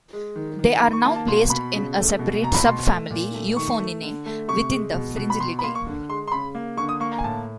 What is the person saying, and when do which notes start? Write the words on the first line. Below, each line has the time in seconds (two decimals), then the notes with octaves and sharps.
They are now placed in a separate subfamily Euphoniinae within the Fringillidae.
0.13 G#3
0.36 D#3
0.59 D#3
0.75 A#5
0.81 D#3 B5
0.93 C#6
1.04 A#3 A5
1.16 A5
1.27 B2 C6
1.50 B2 B5
1.73 C#3
1.96 A3
2.19 B2
2.42 B2 A#5
2.54 B5
2.65 B2 C6
2.88 A3
3.10 A#2
3.34 A3
3.56 D#3 C#6
3.79 A3
4.03 D3
4.26 A3
4.48 C3 C#6
4.71 G#3
4.94 B2
5.17 B2
5.30 B5
5.40 B2 C6
5.59 B5
5.63 A#3 C6
5.75 C#6
5.87 D3
6.09 G#3 C6
6.28 C6
6.32 C#3 B5
6.55 A#3
6.77 D3 C#6
6.89 D#6
7.00 A#3 C#6
7.12 A#5
7.18 G#5
7.24 A2 A5